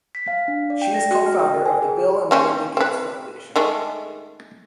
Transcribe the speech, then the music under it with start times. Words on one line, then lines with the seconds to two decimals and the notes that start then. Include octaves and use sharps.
She is co-founder of the Bill and Melinda Gates Foundation.
0.15 B6
0.28 F5
0.48 D4
0.70 D5
0.82 G5
0.94 A#6
1.11 F#4
1.26 F6
1.39 G5
1.54 A#4
1.66 G#5
1.82 G#4
2.31 A#3 C4 C#4
2.77 C4 B4
3.56 D#3 G#3 A3